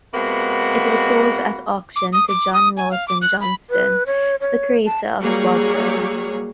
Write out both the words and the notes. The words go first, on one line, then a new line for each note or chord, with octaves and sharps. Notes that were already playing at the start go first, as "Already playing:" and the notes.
It was sold at auction to John Lawson Johnston, the creator of Bovril.
C3 G#3 A#3 B3 F#4 B5
D6
D#6
D6
D#6
G#5
F5
D6
F#6
B5
B4
C#5
C#5
A5
F#3 G3 A#3 G#4 C#5